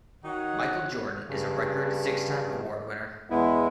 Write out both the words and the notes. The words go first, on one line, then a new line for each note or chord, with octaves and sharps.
Michael Jordan is a record six-time award winner.
D#3 D#4 F#4 C#5 F#5
G2 C#3
E2 G#3 B3 E4